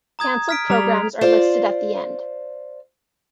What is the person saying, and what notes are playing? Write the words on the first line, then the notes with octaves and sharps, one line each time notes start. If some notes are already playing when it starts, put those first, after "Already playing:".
Canceled programs are listed at the end.
A#5 D#6 G#6
F6 B6 D7
G3 A#5 F7
F4 C5 D5